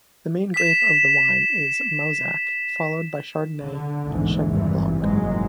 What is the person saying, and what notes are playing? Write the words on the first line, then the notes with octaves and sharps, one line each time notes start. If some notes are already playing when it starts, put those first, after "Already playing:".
The main grape of the wine is Mauzac, followed by Chardonnay and Chenin blanc.
B6 E7
D3
A#1 E2 G#2 E3
G#1 G2 C3 E3 G3
F#1 G#2 F#3 G#3